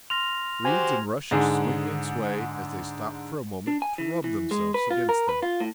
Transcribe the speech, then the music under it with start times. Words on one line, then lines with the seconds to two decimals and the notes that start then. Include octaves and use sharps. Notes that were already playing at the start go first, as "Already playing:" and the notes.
Reeds and rushes swing and sway as they stop for a moment to rub themselves against them.
0.10 C6 F6 A#6 F7
0.65 F#4 G4 C5 G#5 G#6
1.31 G#2 D3 G#4
3.67 D4
3.82 G#5
3.98 E3
4.24 E3
4.51 G#3
4.74 B4
4.91 F4
5.09 A#4
5.29 B4
5.43 F4
5.60 A2